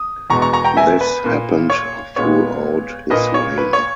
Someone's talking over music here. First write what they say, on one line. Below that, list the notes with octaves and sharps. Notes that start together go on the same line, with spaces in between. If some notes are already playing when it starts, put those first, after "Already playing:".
This happened throughout his reign.
Already playing: D#6
E2 B2 G#3 B3 A#5 C#6
A#5 C#6
A#5 C#6
G5 A#5
E5 G#5
B4
A#2 A#3
C#5
A#2 G#3 B3 C#5
A#2 A#3 B4 D#5
C#5
B4
C#5